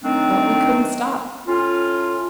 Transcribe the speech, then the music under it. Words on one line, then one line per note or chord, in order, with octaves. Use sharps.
But we couldn't stop.
D#3 F#3 A3 C4 D4
A2 C#4 F4